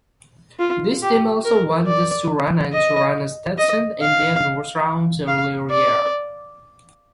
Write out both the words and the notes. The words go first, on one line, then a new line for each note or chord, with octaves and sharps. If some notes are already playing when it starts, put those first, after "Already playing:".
This team also won the Surana and Surana Stetson India North Rounds earlier year.
F4
G4
A#4
D5
D#5
D#5
F5
F5
D5